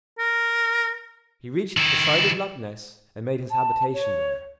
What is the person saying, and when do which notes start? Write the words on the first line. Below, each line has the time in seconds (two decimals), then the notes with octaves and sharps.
He reached the side of Loch Ness and made his habitation there.
0.19 A#4
1.77 D#3 E4
3.51 A5
3.94 C#5